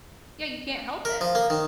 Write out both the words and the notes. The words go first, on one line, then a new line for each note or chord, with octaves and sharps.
Yeah, you can't help it.
A#4
F3
A#3
D#3